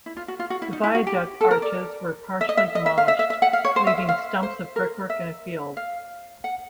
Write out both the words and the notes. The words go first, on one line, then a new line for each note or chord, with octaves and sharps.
The viaduct arches were partially demolished, leaving stumps of brickwork in a field.
E4
F4
F#4
F4
F#4
E4
D#4
E4
F#4
G4
A4
A#4
D5
E5
D#5
E5
D#5
E5
F5
E5
E5
E5
F#5
F5
C#5
C5
E5
F5
F5
C5
A#4
E5
F5
F#5